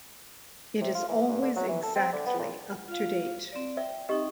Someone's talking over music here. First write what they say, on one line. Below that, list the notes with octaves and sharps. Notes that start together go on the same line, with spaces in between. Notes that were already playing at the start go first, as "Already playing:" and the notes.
It is always exactly up to date.
C3
F4
E3
G2
D3
F#3
E3
A4
C4
D3
B3
A#2
F4 F5
C4 D5
D5 E5 G5
C4 D#4 G4 D#5 G5